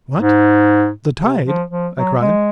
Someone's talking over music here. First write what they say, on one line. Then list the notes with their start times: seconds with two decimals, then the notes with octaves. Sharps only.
"What! the tide!" I cried.
0.18 G#2
1.20 C3
1.45 F3
1.70 F3
1.96 F#3
2.21 G#3